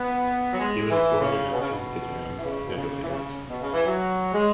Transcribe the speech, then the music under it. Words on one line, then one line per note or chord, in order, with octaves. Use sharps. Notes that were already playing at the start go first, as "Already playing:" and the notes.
He was born in Appingedam, Netherlands.
Already playing: B3
F#3
G#3
E3
C#3
B2
C#3
B2
E3
C#3
B2
C#3
E3
C#3
B2
C#3
E3
F#3
G#3